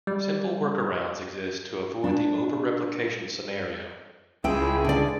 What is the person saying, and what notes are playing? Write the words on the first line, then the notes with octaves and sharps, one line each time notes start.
Simple workarounds exist to avoid the over-replication scenario.
G3
D4
C#2 E4 G#4 G5
D3 D5